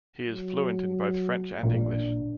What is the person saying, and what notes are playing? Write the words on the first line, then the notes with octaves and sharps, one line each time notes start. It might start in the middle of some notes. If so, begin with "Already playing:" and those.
He is fluent in both French and English.
F#3
A1 A#2 D4